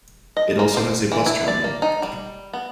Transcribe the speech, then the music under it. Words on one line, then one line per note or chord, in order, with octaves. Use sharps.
It also has a bus terminal.
D#5
A#3
C5
E3
E4
D5
A#3
D#4
G3
B3